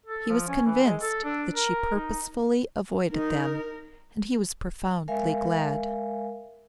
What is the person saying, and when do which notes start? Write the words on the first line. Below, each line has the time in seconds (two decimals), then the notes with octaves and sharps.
He was convinced that she purposely avoided them and he was profoundly glad.
0.06 A4
0.29 F3
0.48 C#4
0.66 E3
0.84 G#3
1.02 A4
1.24 D4
1.55 A#4
1.95 D#4
3.12 D#4 A#4
5.08 G#3 A#4 E5 F5 G#5